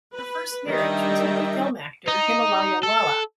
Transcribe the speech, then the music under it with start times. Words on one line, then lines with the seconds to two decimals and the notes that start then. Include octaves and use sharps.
Her first marriage was with the film actor "Himalayawala".
0.15 B4
0.67 D#3 G3 D4 D#5 E5 G5
2.08 D#4
2.83 A4